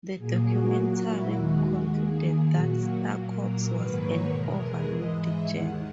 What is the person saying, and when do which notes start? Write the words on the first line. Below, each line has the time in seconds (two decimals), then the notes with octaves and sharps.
The documentary concluded that "Star Cops" was an "overlooked gem".
0.16 A#2 F#3 A#3 G#4
0.46 F#4
0.75 A#2 F#3 A#3 F#4
1.05 E4
1.34 D#2 D#3 G#3 F#4
1.64 F#4
1.93 D#2 D#3 A#3 G#4
2.51 A#2 F#3 A#3 F#4
3.10 A#2 F#3 A#3
3.39 A#4
3.69 G#2 D#3 F#3 A#3 B4
3.98 C#5
4.27 E2 B2 G#3 A#4
4.56 G#4
4.86 G#2 E3 G#3 D#5
5.15 E5
5.45 D#2 D#3 G#3 F#5